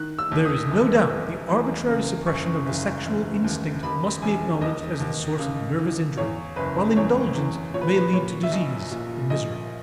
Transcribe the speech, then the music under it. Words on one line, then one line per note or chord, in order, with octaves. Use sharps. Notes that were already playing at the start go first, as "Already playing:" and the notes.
There is no doubt the arbitrary suppression of the sexual instinct must be acknowledged as the source of nervous injury while indulgence may lead to disease and misery.
Already playing: D#3 F#6
E6
D#2
D#6
E1
E1
E2
C#3
F#1 C#6
F#1
E1
D#2
D#2 B5
E1 G#5
D#2 D#5
D#2
C#3
E3
E2 C#5
F#1 B4
E2 C#5
E2
A#2 C#5
B4
B4
A#2 C#5
E5
A#1 D#5
A#2
A#1 D#5